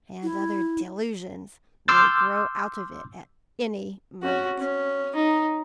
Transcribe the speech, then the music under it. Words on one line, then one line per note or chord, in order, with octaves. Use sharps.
"And other delusions may grow out of it at any moment."
E4
C6 D6 E6 F6 G6 A6
C#4 F#4
C#4
D#4